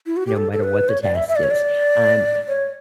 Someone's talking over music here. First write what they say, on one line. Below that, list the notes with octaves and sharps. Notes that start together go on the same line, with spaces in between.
no matter what the task is, I'm
E4
F#4
G4
A4
A4
B4
C#5
D5
E5
E5
D5
C#5
D5
C#5